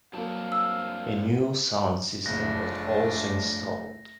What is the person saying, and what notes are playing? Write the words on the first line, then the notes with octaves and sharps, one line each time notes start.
A new sound system was also installed.
G2 F#3 A#3 C4 F5 A5
E6
F#1 C2 F3 G#3 A3 D4 A#6